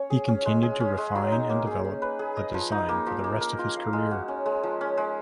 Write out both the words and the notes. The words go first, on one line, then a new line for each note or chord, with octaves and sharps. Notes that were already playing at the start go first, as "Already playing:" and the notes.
He continued to refine and develop the design for the rest of his career.
Already playing: C#4 C#5
G#4
C#4
G#3
G#4
C#4
G#3
F#3
D#4
A#3
G#4
C#4
B4
G#4
D#5
F3
D#4
A#3
F3
A#3
A#4
F4
F5
G#3
F#4
C#4
G#3
F3
C#4
G#3